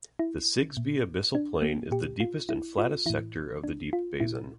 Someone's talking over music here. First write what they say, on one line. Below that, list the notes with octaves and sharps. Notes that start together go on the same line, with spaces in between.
The Sigsbee Abyssal Plain is the deepest and flattest sector of the deep basin.
E4
A#2
D4
A#3
A#2 G4
F4
E4
F4
A2 E3 E4
D4
F4
A#2 E4